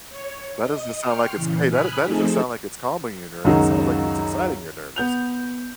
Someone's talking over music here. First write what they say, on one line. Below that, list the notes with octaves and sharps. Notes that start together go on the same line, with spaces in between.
That doesn't sound like it's great that d that doesn't sound like it's calming your nerves. It sounds like it's exciting your nerves.
C#5
D#5
G5 C6 C#6 F6
A#2 C#3 E3
G#5 B5 D#6 F6 F#6
F3 A3 C4 D#4 G#4 A4
C#2 F#2 D#3 D#4 F#4 G#4
B3 G6 F7